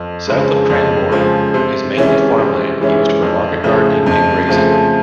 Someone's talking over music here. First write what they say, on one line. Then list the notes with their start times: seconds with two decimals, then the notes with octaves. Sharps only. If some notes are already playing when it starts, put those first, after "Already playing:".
South of Cranbourne is mainly farmland, used for market gardening and grazing.
Already playing: F2
0.27 C#3 F3 G#3
0.69 F2
1.12 C#3 F3 G#3
1.54 C3
1.97 E3 G#3 C#4 E4
2.38 C3
2.80 E3 G#3 C#4 E4
3.22 F2
3.64 C#3 F3 A3
4.06 F2
4.49 C#3 F3 A3